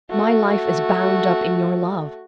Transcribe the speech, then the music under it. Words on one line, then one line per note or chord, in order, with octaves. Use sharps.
My life is bound up in your love.
A3 F#4